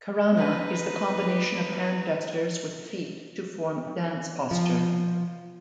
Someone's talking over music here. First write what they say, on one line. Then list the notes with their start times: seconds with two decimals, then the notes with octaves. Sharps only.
Karana is the combination of hand gestures with feet to form a dance posture.
0.34 D#4 B4
4.51 F3